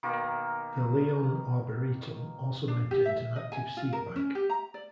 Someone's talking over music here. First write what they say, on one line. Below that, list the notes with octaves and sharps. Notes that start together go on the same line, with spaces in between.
The Lyon Arboretum also maintains an active seed bank.
B2 D#3 A#3 A#4
D4
G4
E5
D#5
G#5
F4
A#4
C#4
G4
A#5
D5